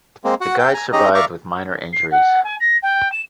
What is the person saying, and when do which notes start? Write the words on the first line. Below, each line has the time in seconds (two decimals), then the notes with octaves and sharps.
The guide survived with minor injuries.
0.24 G#3 A#3 C4
0.41 F#4 F#5
0.59 G5
0.74 G#5 A#5
0.93 C#4 D#4 G4 G#4 D#5 A#5
1.14 D5 E5 F5 A#5 C#6 D6
1.92 C7
2.11 F#5
2.44 G#5
2.60 A#6
2.82 G5
3.12 E7